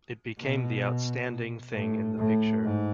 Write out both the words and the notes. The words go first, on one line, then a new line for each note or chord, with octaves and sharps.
It became the outstanding thing in the picture.
B2
A2
A2
G#2